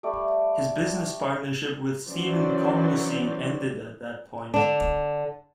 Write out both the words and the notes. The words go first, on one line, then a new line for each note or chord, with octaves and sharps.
His business partnership with Stephen Komlosy ended at that point.
G3 A3 D5
E3 F#3 C#4 C5 D5
D3 D4